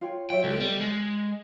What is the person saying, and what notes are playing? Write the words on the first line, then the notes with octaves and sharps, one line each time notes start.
"You mean?"
F4 C#5 G5
F4 C#5 E5 G5
C#2 A4 D#5
G3
G#3